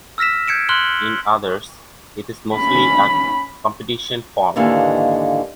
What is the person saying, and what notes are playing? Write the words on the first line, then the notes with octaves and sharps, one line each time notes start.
In others, it is mostly a competition form.
E6 F6 A#6 B6 E7
G6 G#6 C#7 D7 E7
C6 F6 F#6 F#7 G7
C#4 B5
D#2 G#2 D3 E3 A#3